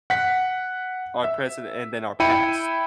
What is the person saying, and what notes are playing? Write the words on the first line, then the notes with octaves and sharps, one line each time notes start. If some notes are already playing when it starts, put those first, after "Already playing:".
our present and then our past.
F#5 B6
E5
E4 G5 B5 C#7 D#7